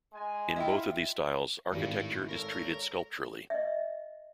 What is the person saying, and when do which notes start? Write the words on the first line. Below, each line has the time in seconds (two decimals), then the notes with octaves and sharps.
In both of these styles architecture is treated sculpturally.
0.14 G#3 G#5
0.56 E4 F4 D#5 E5 G5
1.73 G#1 A2 A3 G4
2.29 A4 A#4 C#5 C#6
3.50 D#5 E5